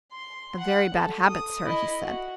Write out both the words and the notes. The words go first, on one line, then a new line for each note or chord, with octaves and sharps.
"A very bad habit, sir," he said.
C6
F#5
A4
D#6
E4 D#5
F#4